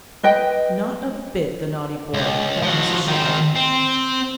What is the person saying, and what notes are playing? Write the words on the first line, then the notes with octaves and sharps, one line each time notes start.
"Not a bit, the naughty boy!" cried Mrs. Shadd.
B4 D#5 G5
C#2
F3 F#4
D#3 C4
C4